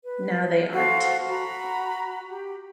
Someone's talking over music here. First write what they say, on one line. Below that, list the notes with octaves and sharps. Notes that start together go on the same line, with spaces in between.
Now they aren't.
B4
F#4 A4 C5 F5
F#4 A#5 B5
G4